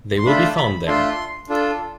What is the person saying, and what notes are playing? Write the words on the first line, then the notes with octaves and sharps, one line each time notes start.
They will be found there.
C6
A3 D4 F4 A4 B5
B5
A3 D4 F4 A4 C6
D4 F4 A4